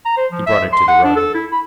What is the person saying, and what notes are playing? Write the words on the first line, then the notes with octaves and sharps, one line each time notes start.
He brought it to the rug.
A#5
C5
F3
E5
C6
F#5
D4
A4
E4
B5